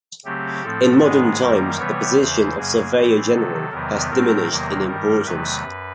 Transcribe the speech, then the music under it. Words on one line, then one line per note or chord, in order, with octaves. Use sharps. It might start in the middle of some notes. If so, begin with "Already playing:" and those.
In modern times, the position of surveyor general has diminished in importance.
C#3 F#3 A3 C4 G4
A2 F3 A3 C4 A4
G#2 D#3 G#3 B3 G#4
F#2 D#3 G3 A#3 A#4
C3 E3 G3 B3 C#5
E2 C#3 E3 C5
F#2 C#3 F#3 A#3 G#4
A2 E3 A3 C4 G#4
C3 D#3 F#3 A4
E2 C3 D#3 F#3 B3 A#4
A2 F#3 A3 C4 A#4
E2 C3 D#3 F#3 A#3
G2 D#3 G3 A#4
E2 C3 D#3 F#3 A3 B4
F#2